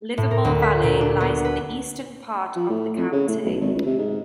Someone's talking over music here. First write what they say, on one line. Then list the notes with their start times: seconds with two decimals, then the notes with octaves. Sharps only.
Livermore Valley lies in the eastern part of the county.
0.18 A2
0.31 A#4
0.45 D2
0.62 B6
0.83 A#2
1.01 D4
1.20 B3
1.45 B4
2.56 F3
2.70 A2
2.97 F2
3.12 C#3
3.28 A2
3.45 B1
3.60 G#1
3.74 C#2
3.86 C3
3.99 G#2